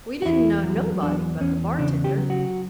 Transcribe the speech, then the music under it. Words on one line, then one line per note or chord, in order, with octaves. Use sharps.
We didn't know nobody but the bartender.
F#4
E2 E4
F#3
E2 D4
E2 C#4
C#3 D4
G4
F#3
F#4